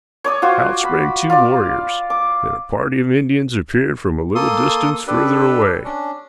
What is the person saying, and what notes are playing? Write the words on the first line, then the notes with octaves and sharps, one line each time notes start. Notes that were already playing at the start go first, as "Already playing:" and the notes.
Out sprang two warriors, and a party of Indians appeared from a little distance further away.
C#5 D5 D#6
F4 F#4 C5
B5
F4 D5
D6
A#3 A4 C6 D#6
D4 G4 A4 B4
C#4 D4